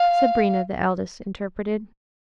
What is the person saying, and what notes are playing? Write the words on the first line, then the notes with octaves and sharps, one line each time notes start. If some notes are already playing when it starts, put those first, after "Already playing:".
Sabrina, the eldest, interpreted.
Already playing: F5